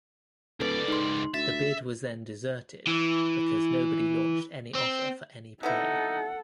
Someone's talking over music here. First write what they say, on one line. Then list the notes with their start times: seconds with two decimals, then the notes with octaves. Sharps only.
The bid was then deserted because nobody launched any offer for any player.
0.60 D1 C#2 A4 B4 D5
0.88 G#2 D#4 C6
1.34 D2 E5 A6
2.87 E3
4.75 C4
5.63 C3 B3 D#4 E4 A4 F#5